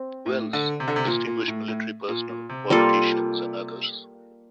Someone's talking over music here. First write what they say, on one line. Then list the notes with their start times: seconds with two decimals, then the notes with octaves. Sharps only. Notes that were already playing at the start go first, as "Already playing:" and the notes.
Wells, distinguished military personnel, politicians, and others.
Already playing: C4
0.26 A2
0.53 D3
0.80 C3
0.88 D3
0.96 C3
1.07 A#2
1.27 A#2
1.48 A2
1.68 A2
2.08 A#2
2.29 A#2
2.49 C3
2.70 G3 A#3 F4 A4